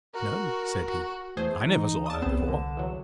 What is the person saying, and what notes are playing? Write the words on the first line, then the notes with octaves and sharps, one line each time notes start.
No, said he, I never saw her before.
F#4 A#4
F#4
E2 A3 G#4 C5
E3 D#4
E2 A5 D#6
C2 B3 C4 E7
D3
E2 F#3